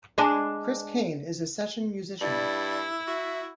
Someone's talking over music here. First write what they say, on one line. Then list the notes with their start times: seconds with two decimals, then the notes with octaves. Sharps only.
Chris Kane is a session musician.
0.18 G#3 D4
2.21 G2 E4 D5
3.07 F#4 E5